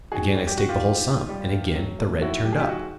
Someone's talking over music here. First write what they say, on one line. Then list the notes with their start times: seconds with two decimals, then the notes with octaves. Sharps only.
Again I staked the whole sum, and again the red turned up.
0.12 D#3 F#4 G#4
0.35 G3
0.47 G4
0.58 D#3 F#4
0.69 F4 G4
0.82 D#3
1.05 D#3
1.29 G3
1.52 A3
1.75 F#3
1.99 A3
2.22 D#3 E4 F#4
2.45 F#3 G4
2.53 G#4
2.60 F4 G4
2.69 D#3 F#4 G#4